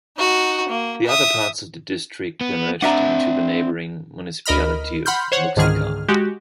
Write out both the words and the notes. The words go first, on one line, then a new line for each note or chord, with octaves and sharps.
The other parts of the district were merged into the neighbouring municipality of Muxika.
D#4 F#4
A#3
E5 D#6
B3
C4 D4 E5 F#5 A#5
D2 A#4 D#5 B5 F6
F#5 B5 C6 F6 G6
C5 C#5 F#5
C#2 G#2 D3 D#3 G#4 F6
G#3 F#4 G4